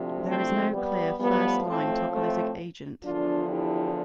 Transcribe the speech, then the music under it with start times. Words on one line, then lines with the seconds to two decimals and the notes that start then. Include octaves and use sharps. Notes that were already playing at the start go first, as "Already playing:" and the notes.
There is no clear first-line tocolytic agent.
Already playing: D2 C3 F3
0.28 A3 C4
0.74 G3 B3
1.19 A2 F3 G3 B3
1.66 A3 C4
2.12 A3 C4
3.04 E2 D3 F3 D4 F4
3.50 E4 G4